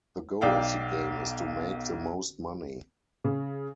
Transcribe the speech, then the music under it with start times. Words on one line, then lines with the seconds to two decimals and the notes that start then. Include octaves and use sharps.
The goal of the game is to make the most money.
0.41 B1 D5 F5 G5
3.24 C#3